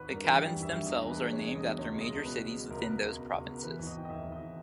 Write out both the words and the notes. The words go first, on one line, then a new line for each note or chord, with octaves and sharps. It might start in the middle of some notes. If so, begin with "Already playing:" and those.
The cabins themselves are named after major cities within those provinces.
Already playing: G#1 B4
G2 A#4
E3 B4
G3 G5
G#1
E5
G2
E2 D#5
E2
B4
G#3
G#3 C#5
E1
D#5
B2
C#2 C#5
G#3
D#5
C#2
B2 B4
G#3
B2
C#2 A#4
B4
B2 A#4
C#2
B2
C#2
B2
A#4
E3 B4
G#1
D#5
G#1 G5
D#5
G#1 E5
G#1
D#5
E3